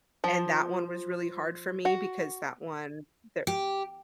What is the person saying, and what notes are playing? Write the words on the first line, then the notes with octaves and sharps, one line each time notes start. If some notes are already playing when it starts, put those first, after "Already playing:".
and that one was really hard for me because that one there
F3
F#4
G4